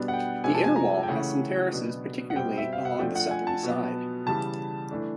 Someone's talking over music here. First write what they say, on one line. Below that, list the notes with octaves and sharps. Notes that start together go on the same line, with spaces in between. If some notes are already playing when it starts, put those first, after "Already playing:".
The inner wall has some terraces, particularly along the southern side.
Already playing: B2 G3 B3 D4
F#5
G5
C3 F3 G#3 G#5
A5
G#5
A#5
G5
C#3 E3 A3 C#4 F#5
B2 F#3 B3 D4
F#5
B2 G3 C4 G5
E5
F5
F#5
F3 A3 D4 G5
F#5
G#5
A5
B2 F#3 B3
C#3 E3 G3 A5
E3 A3 D4